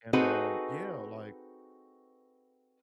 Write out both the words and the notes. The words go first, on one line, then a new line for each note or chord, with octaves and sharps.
and, um Yeah, like,
C4 D#4 F#4 G#4 A4 B4